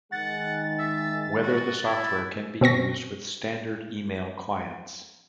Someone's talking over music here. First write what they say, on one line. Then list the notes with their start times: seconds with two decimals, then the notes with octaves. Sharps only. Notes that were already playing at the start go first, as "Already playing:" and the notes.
Whether the software can be used with standard Email clients.
0.12 D#3 G#3 F#5 A6
0.79 E5
1.42 F#4
1.86 E4
2.61 B2 C4 C#6 A#6